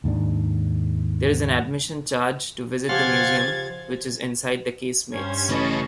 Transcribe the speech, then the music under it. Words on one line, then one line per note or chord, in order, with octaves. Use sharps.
There is an admission charge to visit the museum which is inside the casemates.
D#2 G#2 A#3 D4
C#3 F3 G4 F5 F#5 C6 G#6 A6
G2 C#4 C5 C#5 G#6
A1 C#3 C#4 B4 D#5 A5 B5 C#6